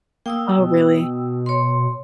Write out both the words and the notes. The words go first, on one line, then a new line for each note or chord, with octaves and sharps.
Oh really?
A#3 G5 D#6 E6
B2
C#5 C6